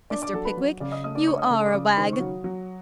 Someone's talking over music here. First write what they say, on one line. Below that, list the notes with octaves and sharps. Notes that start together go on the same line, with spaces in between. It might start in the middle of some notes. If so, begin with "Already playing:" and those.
Mr. Pickwick, you are a wag.
D4 D5 D6
D5 D6
F#3 A4 A5
B4 B5
F#3
C#3 D5 D6
D#5 D#6
A3 D#5 D#6
D5 D6
D4 C#5 C#6
D#5 D#6
C#3 A4 A5
D5 D6
C#3
D#3 C5 C6
C#5 C#6
F#3
F#3